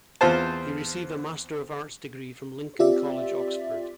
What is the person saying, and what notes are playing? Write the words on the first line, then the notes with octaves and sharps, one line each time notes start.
He received a Master of Arts degree from Lincoln College, Oxford.
E2 C4 F4 C5 A5
C4 F4 G4 D5 E5